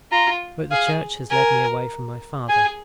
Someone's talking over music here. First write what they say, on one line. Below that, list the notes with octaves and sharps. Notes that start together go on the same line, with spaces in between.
But the church has led me away from my father.
F4 A#5
G#4 F5
A#4 G#5
G#4 G#5